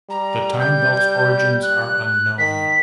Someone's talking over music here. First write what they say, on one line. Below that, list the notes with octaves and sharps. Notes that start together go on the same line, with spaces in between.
The Time-belt's origins are unknown.
G3 A#5
G6
F#6
D#3 B6